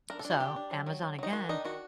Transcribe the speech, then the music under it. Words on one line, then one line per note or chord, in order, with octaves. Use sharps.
So, Amazon again.
D4 A#4
A4
D4
F#4
D4 G4
D4
F#3
F#3
F#3
F#3 D#4
D#3 F#4
D4 D#4
D#3 F#4